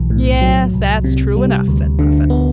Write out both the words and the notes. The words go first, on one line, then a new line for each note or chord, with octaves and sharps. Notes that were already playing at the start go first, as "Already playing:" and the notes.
"Yes, that's true enough," said Puffin.
Already playing: B1 E3
A2
F#3
C2
C3
G3
D2
D3
B3